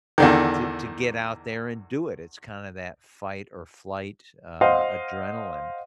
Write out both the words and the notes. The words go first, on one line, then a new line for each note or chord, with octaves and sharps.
to to get out there and do it. It's kinda that fight or flight, uh, adrenaline,
E2 D3 D#3
C5 D#5 F5 F#5 C6